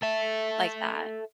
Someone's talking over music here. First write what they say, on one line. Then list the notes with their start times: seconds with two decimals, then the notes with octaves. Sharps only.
like that.
0.02 A4 E5